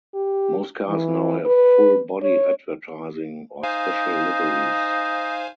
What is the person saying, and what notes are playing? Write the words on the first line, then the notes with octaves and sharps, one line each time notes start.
Most cars now have full body advertising or special liveries.
G4
E3
B4
C#5
D#4 C5 F5 G#5